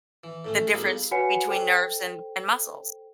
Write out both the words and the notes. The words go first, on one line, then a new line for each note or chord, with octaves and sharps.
the difference between nerves and and muscles.
E3
A2 A3 C#4
G3 B3 D#4 F4 G#4 A4
F#4 B4 C#5 F#5 G#5 C#7
A4 C5 G5